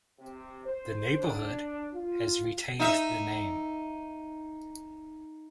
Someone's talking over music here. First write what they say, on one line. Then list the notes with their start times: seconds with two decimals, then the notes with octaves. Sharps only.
The neighbourhood has retained the name.
0.20 C3
0.66 C5
1.19 D4
1.94 F4
2.80 D#4 E5